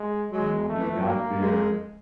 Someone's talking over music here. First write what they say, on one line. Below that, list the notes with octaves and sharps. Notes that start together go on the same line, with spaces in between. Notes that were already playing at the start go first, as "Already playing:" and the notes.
And when we got there,
Already playing: G#3
F#3 G#3
A3
E3
F3
F#3 A#3
G#3